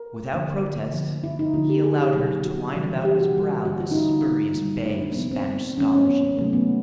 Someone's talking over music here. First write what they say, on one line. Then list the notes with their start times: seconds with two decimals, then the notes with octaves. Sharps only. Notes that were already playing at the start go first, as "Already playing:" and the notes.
Without protest, he allowed her to twine about his brow this spurious bay of Spanish scholarship.
Already playing: A#4
0.34 D3 F3 A#3
0.94 D3 F3 A#3
1.24 E4
1.39 D#4
1.54 D3 F3 A#3 F4
1.69 G4
1.84 G#4
2.00 G4
2.15 B2 F#3 A#3
2.45 F#4
2.74 C#3 E3 G3 A#3
3.05 G4
3.20 F#4
3.36 D3 G3 A#3
3.65 F#4
3.80 F4
3.91 D#4
3.95 D3 G3 A#3 E4
4.11 F4
4.56 D#3 G3 A#3
4.86 E4
5.02 D4
5.12 A#3
5.16 C3 F3 G#3 B3
5.31 C4
5.78 D#3 F#3 A3 C#4
5.93 C#4
6.07 B3
6.37 C3 D#3 F#3 A3 A#3
6.53 B3